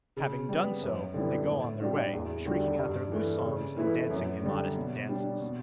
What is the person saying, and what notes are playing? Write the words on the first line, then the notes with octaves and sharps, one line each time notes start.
Having done so they go on their way, shrieking out their loose songs and dancing immodest dances.
C#3
G3 B3
F#2
D3 G3 B3 E4
A2
G3 D4 F#4
E2
D3 G3 D4 F#4
G2
E3 A3
C#3
E3 A3 E4 B4
F#2
D3 G3
B2
G3 D4
B2